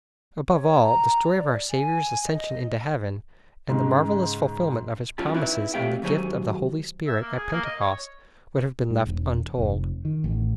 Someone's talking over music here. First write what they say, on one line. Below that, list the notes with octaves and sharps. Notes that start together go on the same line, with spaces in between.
Above all, the story of our Saviour's ascension into Heaven, and the marvellous fulfilment of His promises in the gift of the Holy Spirit at Pentecost, would have been left untold.
C#5
A#5
D5
G#5
D#5
G#2 C#3 G#3
F#2 C#4 F4 G5 A5 B5
C4 D#4 E4 B4
A3 C4 G4 E5 F5 G5
D#2 G#2 F#3 C5 G#5
E5
A#3
G#4
A#3
D#5
C#5
G#2
E1
F1
D#3
A1